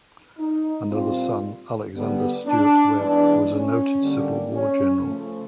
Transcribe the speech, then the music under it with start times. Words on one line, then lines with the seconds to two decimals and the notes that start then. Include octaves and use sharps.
Another son, Alexander Stewart Webb, was a noted Civil War general.
0.39 D#4
0.91 A#2 G3 C4 F4
1.95 D3 G3 B3
2.47 D4
2.98 E3 G#3 B3 D4
3.51 C#4
4.02 D3 G3 A#3
4.55 C#4
5.06 C#3 F3 A3